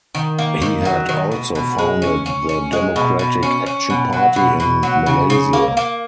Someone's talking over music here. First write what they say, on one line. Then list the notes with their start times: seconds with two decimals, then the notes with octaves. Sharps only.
He had also founded the Democratic Action Party in Malaysia.
0.15 D#3
0.38 A#3
0.62 D#3
0.85 F#3
1.09 D#3
1.32 B2
1.55 B2
1.78 G#3
2.02 C#4
2.26 C#4
2.49 C#4
2.73 G#3
2.96 B2
3.19 B2
3.43 C#4
3.66 C#4
3.90 B2
4.13 F#3
4.36 B2
4.60 B2
4.83 F#3
5.06 C#3
5.30 C#3
5.53 A#3
5.77 A#3